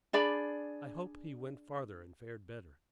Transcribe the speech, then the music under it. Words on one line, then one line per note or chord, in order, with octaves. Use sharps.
I hope he went farther, and fared better.
D4 G#4 D5 B5